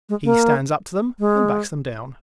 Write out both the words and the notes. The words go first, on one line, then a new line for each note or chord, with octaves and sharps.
He "stands up to them" and backs them down.
G#3
A#3
G#3